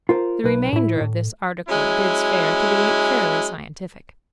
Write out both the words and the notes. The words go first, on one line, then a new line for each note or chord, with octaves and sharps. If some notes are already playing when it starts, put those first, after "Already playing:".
The remainder of this article bids fair to be fairly scientific.
F4 A#4 C5
B1 B4
A2 E4
A2
F#3 G#3 C#4 E4